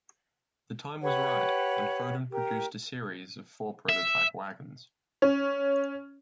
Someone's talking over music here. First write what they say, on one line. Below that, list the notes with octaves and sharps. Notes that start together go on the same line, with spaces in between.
The time was right and Foden produced a series of four prototype wagons.
G4 B4 C#5 F#5
G4 A#4
E5
C#4